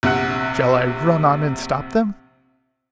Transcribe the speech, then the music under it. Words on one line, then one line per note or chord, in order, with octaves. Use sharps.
"Shall I run on and stop them?"
A#1 C3 F#5 F#6